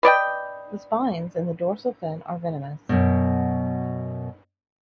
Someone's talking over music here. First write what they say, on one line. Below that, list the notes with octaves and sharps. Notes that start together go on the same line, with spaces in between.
The spines in the dorsal fin are venomous.
B4 D5 D#5 G5
F#2 B2